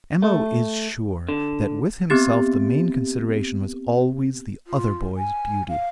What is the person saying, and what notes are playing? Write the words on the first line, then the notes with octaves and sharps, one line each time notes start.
M.O. is sure that with himself the main consideration was always the other boy's beauty.
A3
D3
B3 C4 G4 A6
F4
G#5
F5